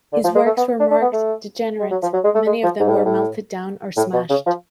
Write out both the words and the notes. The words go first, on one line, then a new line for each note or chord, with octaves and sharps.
His works were marked degenerate, many of them were melted down or smashed.
D3
F3
G#3
A3
B3
D4
D4
B3
A3
G#3
F#3
F3
F#3
G#3
A3
G#3
F3
G#2
A2
G#2
A2
A2
B2
C#3
F3